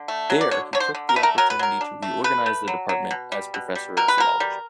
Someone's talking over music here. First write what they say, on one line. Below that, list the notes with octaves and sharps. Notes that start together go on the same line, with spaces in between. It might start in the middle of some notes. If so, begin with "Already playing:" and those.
There, he took the opportunity to reorganize the department as professor of zoology.
Already playing: D3
A3
F#3
D5
D3 C#5
D3 C#5
C5
D3
A#4
A3 B4
A#4
F#3 A#4
B4
F#3 A#4
D4
A3
A3 B4
A3
F#3
F#3
B2
G3
B2
G3
B2 A#4
B4
B2 A#4
G3